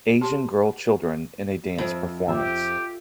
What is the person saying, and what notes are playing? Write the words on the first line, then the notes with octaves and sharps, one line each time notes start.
Asian girl children in a dance performance.
G4 A5 C6
F2 E4
F4 G4 E5